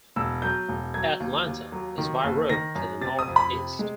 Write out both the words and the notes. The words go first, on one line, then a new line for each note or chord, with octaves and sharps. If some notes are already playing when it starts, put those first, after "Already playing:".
Atlanta is by road to the northeast.
E1 E6
F#3 G6
E1
F#3 G#6
D#2
D#2
F#3
D#3
F#1
D#3 A#6
F#2
C3 A6
D#6
F2
B5
C3
G#3